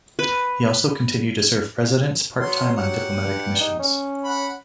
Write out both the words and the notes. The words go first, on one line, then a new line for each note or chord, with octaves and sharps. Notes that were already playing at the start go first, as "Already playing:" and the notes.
He also continued to serve Presidents part-time on diplomatic missions.
B4
F#3 B3 C6
G4 F#5
G2
D#4
C#4
F#5 B5